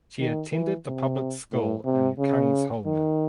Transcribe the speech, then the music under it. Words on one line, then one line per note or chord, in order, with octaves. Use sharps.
She attended the public school in Kungsholmen.
D#3
E3
C3
A2
C3
C#3
D#3